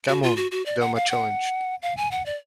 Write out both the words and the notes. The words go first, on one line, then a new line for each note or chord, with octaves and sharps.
Come on, Del Mar challenged.
F#4
F4
F#4
F#4
D5
F#5
F5
F#5
F5
G#5
F#5
D5